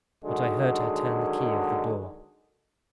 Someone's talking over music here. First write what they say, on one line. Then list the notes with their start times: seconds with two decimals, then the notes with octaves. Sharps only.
But I heard her turn the key of the door.
0.25 D3 D#3 F#3 G#3